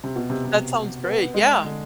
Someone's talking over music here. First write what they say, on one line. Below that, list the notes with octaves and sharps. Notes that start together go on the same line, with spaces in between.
That sounds great, yeah.
C3
B2
C3
C3
B3
G#3
D3